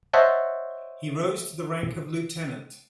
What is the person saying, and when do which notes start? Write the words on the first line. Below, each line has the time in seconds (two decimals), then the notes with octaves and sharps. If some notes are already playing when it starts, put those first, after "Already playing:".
He rose to the rank of lieutenant.
0.13 C5 C#5 D#5 E5 F#5 A5